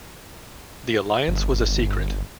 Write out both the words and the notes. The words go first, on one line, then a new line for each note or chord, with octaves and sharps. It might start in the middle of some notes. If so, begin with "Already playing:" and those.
The alliance was a secret.
G1